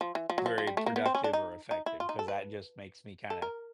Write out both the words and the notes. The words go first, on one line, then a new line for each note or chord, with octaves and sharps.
very productive or effective cause that just makes me kinda
F3
E3
F3
F#3
F3
F3
G3
A3
A#3
B3
C4
C#4
D4
D#4
D#4
E4
F4
D#4
A4
B4
A4
A#4